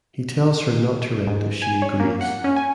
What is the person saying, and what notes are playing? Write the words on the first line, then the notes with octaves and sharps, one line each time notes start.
He tells her not to rent if she agrees.
G#2
G#5
C#5
A#3
F#5
C#4
G#5